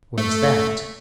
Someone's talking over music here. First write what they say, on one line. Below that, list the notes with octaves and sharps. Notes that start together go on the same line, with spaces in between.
"Where's that?"
A3